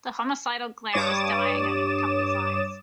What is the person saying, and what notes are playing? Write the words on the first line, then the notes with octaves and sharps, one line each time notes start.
The homicidal glare was dying out of Tuppy's eyes.
G2 C#5 D6 D#6 A6 E7